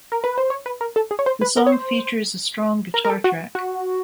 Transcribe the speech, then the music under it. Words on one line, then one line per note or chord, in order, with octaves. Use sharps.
The song features a strong guitar track.
A#4
B4
C5
C#5
B4
A#4
A4
G#4
C#5
C5
B4
A#4
C#5
C5
A#4
A#4
A4
F#4
F#4